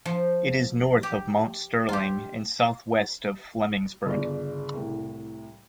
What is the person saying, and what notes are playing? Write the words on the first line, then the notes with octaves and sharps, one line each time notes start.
It is north of Mount Sterling and southwest of Flemingsburg.
F3
G4
F4 G4
G1 C#3 D5
C2 A2